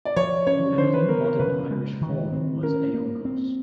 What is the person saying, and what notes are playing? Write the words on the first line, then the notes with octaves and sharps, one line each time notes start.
The Early Modern Irish form was Aonghus.
D5
F3 C#5
C#4 C#5
F3 C5
B4
B3 A#4
A#4
C#3 B4
G#3
D#3
C4
C#4 A#4
A#3
C4